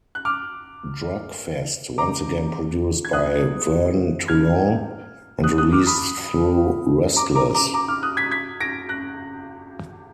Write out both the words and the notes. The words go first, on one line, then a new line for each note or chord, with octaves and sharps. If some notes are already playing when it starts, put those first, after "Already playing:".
Drug Fest, once again produced by Vern Toulon and released through Restless.
F#6
D6 F6
A#5 D6
G#6
D#6 F#6
F6 G#6
D#6 F#6
D#6 F#6
D6 F6
B5 D#6
A#5 D6
A#5 D6
A#5 D6
A#5 D6
D6 F6
D#6 F#6
G#6 B6
G#6 B6
A#6 D7
F#6 A#6